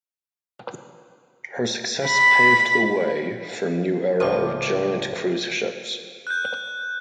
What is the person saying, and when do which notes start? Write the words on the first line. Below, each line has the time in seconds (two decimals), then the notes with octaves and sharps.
Her success paved the way for a new era of giant cruise ships.
2.06 B5
4.20 C#2 A2 F3 C5 D6
6.27 F#6 G6